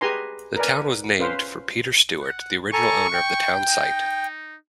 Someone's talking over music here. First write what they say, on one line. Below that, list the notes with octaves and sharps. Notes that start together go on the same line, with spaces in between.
The town was named for Peter Stuart, the original owner of the town site.
G4 G#4 B4 G#5 A#5 C6
A#4 B4 D5 G#5
C#4 B4 C5 F5
F#5
A4 G#5 A#5 C#6
G5
D#4